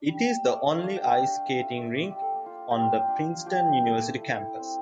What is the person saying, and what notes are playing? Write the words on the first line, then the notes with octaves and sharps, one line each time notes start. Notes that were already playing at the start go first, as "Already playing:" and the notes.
It is the only ice skating rink on the Princeton University campus.
Already playing: D4
G3
A3 D5
F5
D4
G5
D4
E5
F4
E5
E5
F4 D5
G4
A4
A#3
F4
A#3 G4
F4
G4
D4
F3 G4
E4 A4
E4
C4